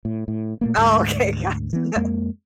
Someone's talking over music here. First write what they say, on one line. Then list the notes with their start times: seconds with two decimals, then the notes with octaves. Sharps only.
oh okay, gotcha.
0.05 A2
0.28 A2
0.61 A#2 A3 A#3
0.77 D2 G#2 G#3
1.73 E3 B3
1.96 F2 G#3 A#3